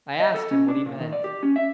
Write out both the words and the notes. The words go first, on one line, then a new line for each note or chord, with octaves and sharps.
I asked him what he meant.
D#5
A4
C#4
D4
A#2
D#3
D5
G4
C#4
E5